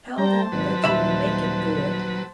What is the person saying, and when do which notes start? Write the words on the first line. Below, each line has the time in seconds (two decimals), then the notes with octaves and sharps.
Tell them that you will make it good.
0.18 G3 C5 G5 A5 A#5
0.52 G#1 F#3 B4
0.84 D#1 E5 B5